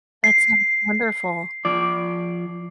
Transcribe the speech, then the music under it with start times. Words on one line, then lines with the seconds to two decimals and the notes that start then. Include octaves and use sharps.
That's sounds wonderful.
0.24 C7
1.65 F3 D5